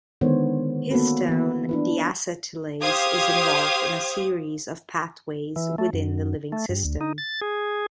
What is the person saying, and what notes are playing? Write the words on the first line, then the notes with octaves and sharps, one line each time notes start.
Histone deacetylase is involved in a series of pathways within the living system.
D3 D#3 G#3 B3 C5 C#5
A#3 B3 C#4 F#4 A4 B4
E3 B3
D4 E4 B4
G4 C5 F5 D#6 G#6
E3
A3
F#2
A3
G2
D2
D#4
A6
G#4